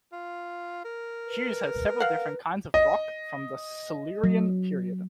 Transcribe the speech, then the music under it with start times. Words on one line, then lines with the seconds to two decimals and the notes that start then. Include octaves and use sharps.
Hughes has several different kinds of rock from the Silurian period.
0.13 F4
0.84 A#4
1.27 B4
2.00 F5 F#5
2.74 D#5
4.24 F#3